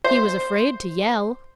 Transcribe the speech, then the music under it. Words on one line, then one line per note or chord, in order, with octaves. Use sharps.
He was afraid to yell!
C5